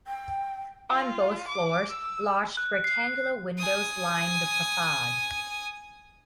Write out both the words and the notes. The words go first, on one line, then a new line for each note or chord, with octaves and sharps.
On both floors, large rectangular windows line the facade.
G5
F4
D6
E6
F#6
C7
G#5 D#6